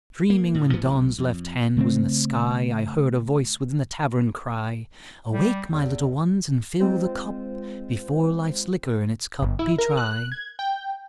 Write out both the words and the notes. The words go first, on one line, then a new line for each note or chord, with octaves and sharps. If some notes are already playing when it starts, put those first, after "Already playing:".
Dreaming when Dawn's Left Hand was in the Sky I heard a Voice within the Tavern cry, "Awake, my Little ones, and fill the Cup Before Life's Liquor in its Cup be dry."
A#3
A2
A2 E3 A3 B3
B1
F2
C#3 A3 A#3 C4
G3
E2
G#3 C4 F4 C5
G1
E4
A#4
F#6
G#6
G5